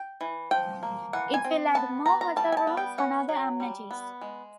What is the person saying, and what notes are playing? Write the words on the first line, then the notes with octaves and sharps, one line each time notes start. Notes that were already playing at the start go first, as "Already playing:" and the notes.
It will add more hotel rooms, and other amenities.
Already playing: G5
E3
F3 G5
A#3
E3 F#5
G#5
C4
B3 A5
B3 A#5
A#5
G3 A5
G#5
A5
B3
G5
C#4 F#5
F#3
G3
B3
G#3